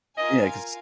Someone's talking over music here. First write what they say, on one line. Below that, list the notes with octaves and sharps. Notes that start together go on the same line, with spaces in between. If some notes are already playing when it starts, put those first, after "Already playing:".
Yeah, 'cause
F4 A#4 D#5 F5 G#5